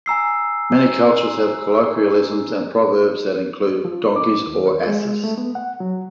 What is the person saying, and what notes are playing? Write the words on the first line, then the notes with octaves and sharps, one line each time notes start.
Many cultures have colloquialisms and proverbs that include donkeys or asses.
G#5 A#5 E6 C7
F3
D6
D#2
G#3
A3
B3
F#5
F#3